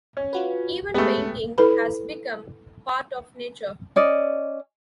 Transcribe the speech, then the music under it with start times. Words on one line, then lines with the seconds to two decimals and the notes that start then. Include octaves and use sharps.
Even painting has become part of nature.
0.17 C#4
0.33 F4 F#4 B4
0.94 G#3 A3 B3 G4 G#4
1.58 E4 A4 B4 B5
3.96 C#4 D5 D#5